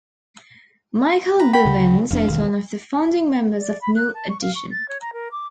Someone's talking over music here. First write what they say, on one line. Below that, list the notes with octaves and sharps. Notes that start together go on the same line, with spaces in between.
Michael Bivins is one of the founding members of New Edition.
B4 A#5
F#4 G5 B5
D2 C#3
F1 F2 D4 F5
E1 C2 D#3
D5
B5
F#6
A5
C#6
F5
C#6
A6
C#5
A#5
A#4
D6